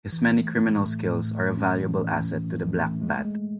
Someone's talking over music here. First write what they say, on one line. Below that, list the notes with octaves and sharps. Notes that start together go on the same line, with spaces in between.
His many criminal skills are a valuable asset to the Black Bat.
E3
A3
A2
A3
A2
A3
C#4
E3
E3
E3
E3
A3
G#3
G#3